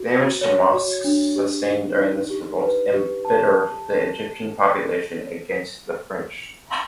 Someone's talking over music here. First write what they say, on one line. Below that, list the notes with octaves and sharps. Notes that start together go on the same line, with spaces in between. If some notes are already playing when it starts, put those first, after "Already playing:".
Damage to mosques sustained during this revolt embittered the Egyptian population against the French.
Already playing: F#4
F#4
C#5
F#4
D4
G4
D#4
D#4
G4
B4
G4
A5